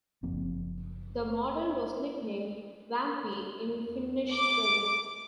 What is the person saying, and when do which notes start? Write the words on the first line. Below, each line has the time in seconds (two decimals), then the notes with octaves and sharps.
The model was nicknamed "Vamppi" in Finnish service.
0.23 F#1 F3 A#3 C4
4.33 D6